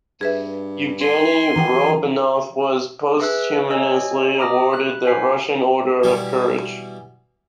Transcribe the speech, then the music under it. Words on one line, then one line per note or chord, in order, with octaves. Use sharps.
Yevgeny Rodionov was posthumously awarded the Russian Order of Courage.
G2 G#4 B4 E5
G#5 C6
F#2 E3 F#5 G5 A#5
G#4 B4 E5 E6 F#6
C#5 D#5 G#5 E6
A#5 B5 D6 D#6 F6 A#6
B5 F#6
C5 F#5 G#5 B6 C7
B2 E3 G3